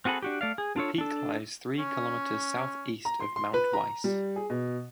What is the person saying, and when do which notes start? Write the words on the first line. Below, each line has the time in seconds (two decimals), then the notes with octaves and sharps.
The peak lies three kilometers southeast of Mount Weiss.
0.05 C4 F#4 G#4 A4 B5
0.22 D4 F#4 G4
0.41 A3 D5 F5
0.58 G#4
0.76 D4 F4 A4 C#5
0.98 D4 A4
1.79 C#4
3.05 A#5
3.20 C6
3.36 C6
3.54 B4
3.73 A#5
4.04 G3
4.36 G#4
4.50 B2